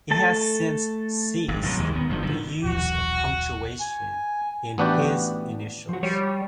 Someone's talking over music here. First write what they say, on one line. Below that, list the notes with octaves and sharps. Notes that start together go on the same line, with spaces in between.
He has since ceased the use of punctuation in his initials.
A3 A4 A5
G#1 G2
B1 G#2 B2
D#2 D#3 E3 G#3
D#3 B3
F#1 G2 F3
D3 D#3
D#1 B1 E3 F#4
G#5
A1 B3 D4 F#4 G4 D5
F3 F#4
G3 C#5